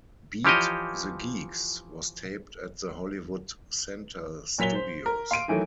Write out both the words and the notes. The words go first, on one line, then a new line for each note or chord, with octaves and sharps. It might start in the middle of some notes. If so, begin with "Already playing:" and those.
"Beat the Geeks" was taped at the Hollywood Center Studios.
E3 F3 G4 C#5 D#5
A#2 F#3 B6 F7 G7
C5
A#4
F5 C6 D7 D#7
D#3 E3 F#3 A3